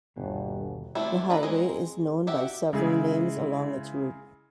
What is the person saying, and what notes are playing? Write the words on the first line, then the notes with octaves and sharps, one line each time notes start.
The highway is known by several names along its route.
G1 D#2 B2
A3 C4 D4 E4
D4 B4 A#5
G#3 C4 D#5
F#4 G4 E5 F#5
C#3 G#3 E4 G#4